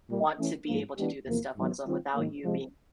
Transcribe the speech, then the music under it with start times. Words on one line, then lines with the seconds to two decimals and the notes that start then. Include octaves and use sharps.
want to be able to do this stuff on his own without you being,
0.09 A#2 G3 A#3
0.39 E3 A3 C#4
0.68 G#2 F3 A#3
0.97 E3 G#3 B3 D4 G4
1.27 E2 C3 F3 A#3
1.56 G#2 D#3 F#3 B3
1.86 D#3 G3 C4 F4
2.15 G#2 D#3 F#3 A#3
2.44 C3 F3 G#3